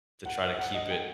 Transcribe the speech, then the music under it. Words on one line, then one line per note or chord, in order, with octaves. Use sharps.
to try to keep it,
F#5
F#5
D#5
G5